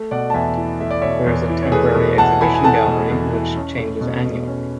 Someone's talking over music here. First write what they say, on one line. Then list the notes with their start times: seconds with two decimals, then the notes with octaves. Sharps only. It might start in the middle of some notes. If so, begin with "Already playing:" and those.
There is a temporary exhibition gallery which changes annually.
Already playing: A3
0.11 B2 D5 F#5
0.30 A5
0.34 E2 E5 G#5
0.57 E4
0.80 A3 E5
0.91 D5
1.02 B2 C#5 E5
1.26 E2
1.49 E4
1.62 C#5
1.72 A3 G#4 B4
1.95 B2
2.18 E2 F#5 A5
2.41 E4 G#5 B5
2.54 G#5
2.64 A3 F#5 A5
2.86 B2
3.10 E2
3.33 E4
3.56 C#4
3.79 A3
4.01 B2
4.24 B2
4.47 C#4